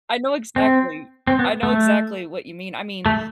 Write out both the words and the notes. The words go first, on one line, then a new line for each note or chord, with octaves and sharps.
I know exactly I know exactly what you mean I mean,
C4
C4
B3
A3
A3